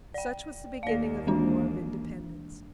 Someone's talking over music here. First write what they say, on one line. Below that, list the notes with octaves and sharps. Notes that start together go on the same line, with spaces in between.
Such was the beginning of the war of independence.
D5 G5
D#2 A#3 D5 F5
E3 G#3 D4